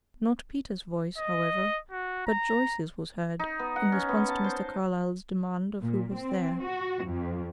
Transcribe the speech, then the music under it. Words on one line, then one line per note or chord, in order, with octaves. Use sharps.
Not Peter's voice, however, but Joyce's was heard, in response to Mr. Carlyle's demand of who was there.
D#5
F#4
A#5
D#4
B3
F#5
C#4
B3
A5
C5
A#2
C4
F#4
F2